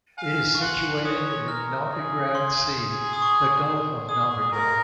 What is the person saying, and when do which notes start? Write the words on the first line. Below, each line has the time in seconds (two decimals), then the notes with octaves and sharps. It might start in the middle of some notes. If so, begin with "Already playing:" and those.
It is situated in Novigrad Sea, the gulf of Novigrad.
0.18 F5 G#5
0.55 C#6
0.61 F#5 C6
1.05 C#5 D#6
1.48 A#4 F6
1.91 G#4
2.35 C6
2.78 G#4
3.13 D#6
3.22 C#6
4.09 G#4 D#6
4.52 A#4